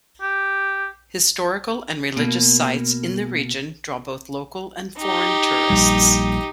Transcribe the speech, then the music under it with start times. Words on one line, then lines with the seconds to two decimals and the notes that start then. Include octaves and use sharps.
Historical and religious sites in the region draw both local and foreign tourists.
0.22 G4
2.17 B2 A#3
4.99 D#4 G4
5.70 A#1 G3